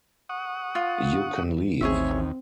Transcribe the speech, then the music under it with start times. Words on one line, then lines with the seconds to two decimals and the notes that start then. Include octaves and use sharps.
You can leave.
0.29 F#5 C#6 D#6
0.75 F4
1.81 A1 D#2 C4 G#4 C#5 E5